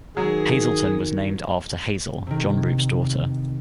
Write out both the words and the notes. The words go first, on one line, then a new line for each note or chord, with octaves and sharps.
Hazelton was named after Hazel, John Roop's daughter.
D#3 F#3 G#4
C3 D#3